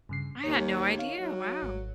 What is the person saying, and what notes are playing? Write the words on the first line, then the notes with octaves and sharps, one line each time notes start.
I had no idea, wow.
G2 C#3 C7
D#2 C#5
D#4 C#5 F5
F#3
G#1